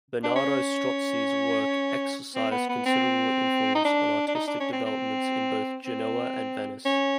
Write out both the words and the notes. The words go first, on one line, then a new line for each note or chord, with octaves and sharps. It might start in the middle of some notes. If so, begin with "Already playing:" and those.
Bernardo Strozzi's work exercised considerable influence on artistic developments in both Genoa and Venice.
D4
C#4
C4
B3
B3
C4
D#4
D4
D4
D#4
D4
C#4
C4
C4
C4
C#4